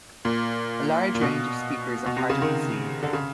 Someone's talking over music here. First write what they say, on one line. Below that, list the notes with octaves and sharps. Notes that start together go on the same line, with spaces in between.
A large range of speakers are part of the scene.
A#2
A#2
B2
B2
C3
C#3
D#3
D3
C#3